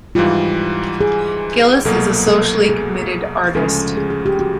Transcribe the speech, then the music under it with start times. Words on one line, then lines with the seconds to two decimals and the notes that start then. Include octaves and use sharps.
Gillis is a socially committed artist.
0.15 G#2 E3 G3 F4
1.01 G#4
1.85 C2 B2 F#3 A#3 A4
2.28 A4
2.69 G#4
3.54 D2 C#3 F3 G#3 C#4 A4
3.97 G#4
4.10 G#4
4.26 G4
4.40 F#4